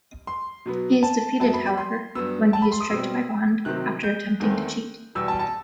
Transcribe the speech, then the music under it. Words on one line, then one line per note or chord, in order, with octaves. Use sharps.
He is defeated, however, when he is tricked by Bond after attempting to cheat.
C6
B2 F#3 B3
A5
F#2 F#3 B3 A5
B5
B5
C6
G2 F#3 B3 E6
A5
B5
C6
D#6
B2 G3 C4 E6
C3 D#3 F#3 C4 F#6
G6
E2 D#3 A3 C4
E2 B2 G3 E6
A5
A5